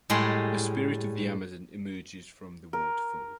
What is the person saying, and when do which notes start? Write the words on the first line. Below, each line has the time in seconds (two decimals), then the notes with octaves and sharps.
The spirit of the Amazon emerges from the waterfall.
0.10 A2 G3 G#3 A4 B5 C6
2.73 A#4